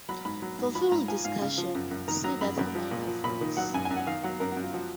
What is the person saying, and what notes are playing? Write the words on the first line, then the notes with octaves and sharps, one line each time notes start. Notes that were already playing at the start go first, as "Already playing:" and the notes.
For full discussion, see Determiner phrase.
F#3 B5
G#2 B5
F#3
G#2
F3 B5
G#2 A#5
F3 G#5
G#2 F5
C#3
F3
F#2
F#2
D#3 A#5
F#3 A#5
F#2 B5
F#2
F3
A#2
F3
A#2 B5
D#3
F#3 F#5
F#2 G#5
G#5
F#2
F#5
D#3 F5
F#3 F#5
F#2 A#4
F#2 F#4
F4
F3 F#4